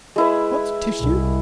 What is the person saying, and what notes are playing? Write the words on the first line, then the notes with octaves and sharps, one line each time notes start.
"What's tissue?"
G#3 E4 B4
C2